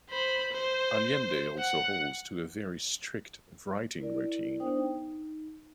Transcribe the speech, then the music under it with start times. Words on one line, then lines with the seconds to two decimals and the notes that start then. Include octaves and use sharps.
Allende also holds to a very strict writing routine.
0.10 C5 B5
0.52 C5
1.59 F#5
3.99 E4 A#4 D5
4.60 B3 D4 C5 G5 D#6
4.77 D#4